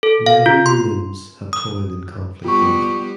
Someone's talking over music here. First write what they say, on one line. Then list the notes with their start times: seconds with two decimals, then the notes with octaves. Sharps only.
Never your limbs have toiled in conflict yet.
0.03 A4
0.26 F5
0.46 F4
0.66 C6
1.53 D#6
2.45 G3 B3 F4 G4 C#6